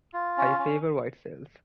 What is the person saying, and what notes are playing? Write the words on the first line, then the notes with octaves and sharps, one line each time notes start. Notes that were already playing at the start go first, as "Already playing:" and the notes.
I favor white sails.
F4
C#4
C#4